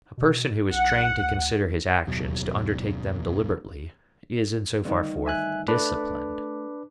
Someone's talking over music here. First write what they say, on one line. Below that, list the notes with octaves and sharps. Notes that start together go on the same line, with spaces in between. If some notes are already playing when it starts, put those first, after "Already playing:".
A person who is trained to consider his actions, to undertake them deliberately, is in so far forth disciplined.
B2
B1 F#5
D2
F#1 D#2 B2 F#3
D2 G2 D#3
E5 G#5 F#6
A3 D4 B4 D6